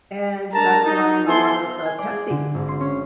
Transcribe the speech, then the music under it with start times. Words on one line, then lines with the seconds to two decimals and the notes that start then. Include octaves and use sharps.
And started relying a lot of, uh, Pepsi's,
0.53 G#3 D4 A#4 A5 A#5
0.85 D#4
1.27 F3 B3 E4 A4 G#5 C6
1.85 G#5
1.99 D5
2.10 G#4
2.30 D3
2.54 G#1
2.68 C6
2.81 C#4